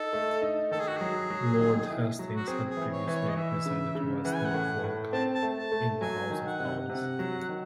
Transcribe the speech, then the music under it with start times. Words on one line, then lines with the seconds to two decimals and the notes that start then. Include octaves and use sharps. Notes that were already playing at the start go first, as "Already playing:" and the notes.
Lord Hastings had previously represented West Norfolk in the House of Commons.
Already playing: D#4 A4
0.13 A3
0.42 D#4
0.71 D#3 A4
0.80 G#4
0.88 F#4
0.97 F#3 G#4
1.30 F#3
1.59 D#3
1.90 E4
2.19 F#3
2.36 F#4
2.48 C4 G#4
2.70 G#4
2.77 E3
2.92 C#5
3.07 E3
3.15 C#5
3.29 D#5
3.36 E3 E5
3.66 C#3
3.95 C#3
4.25 E3 F#5
4.35 G#5
4.45 F#5
4.54 A2
4.84 A2
5.13 C4 A5
5.35 A5
5.43 A3
5.57 A5
5.72 A3
6.01 F#3 G#5
6.30 D#3
6.46 F#5
6.60 C3
6.89 C3 F#5
7.19 F#3
7.49 D#3